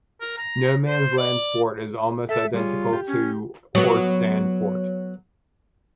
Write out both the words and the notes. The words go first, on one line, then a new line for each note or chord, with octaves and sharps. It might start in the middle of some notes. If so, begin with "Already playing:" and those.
No Man's Land Fort is almost identical to Horse Sand Fort.
A#4
A#5
C5
D5
A4 E5
G3 F4 G#4 C#5
G4
C#4
F#3 B3